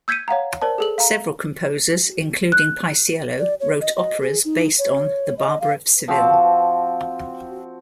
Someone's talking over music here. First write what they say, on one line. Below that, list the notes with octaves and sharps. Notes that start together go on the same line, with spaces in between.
Several composers including Paisiello wrote operas based on "The Barber of Seville".
E6 G6 G#6 B6 C#7 D#7
C#5 F5 F#5 A#5
A#4 C5 D5 A5
G#4 A4 F#7
F5 A#5
F#6
D5
C#5
D#5
D#5
G#4
D#4
C#5
D#5
F5
F3 C4 F#4 A5